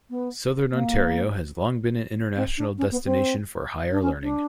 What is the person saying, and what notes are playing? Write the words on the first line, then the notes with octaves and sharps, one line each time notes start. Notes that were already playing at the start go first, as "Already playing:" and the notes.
Southern Ontario has long been an international destination for higher learning.
B3
A#3
C4
D4
C#4
B3
C4
D4
C#4
D4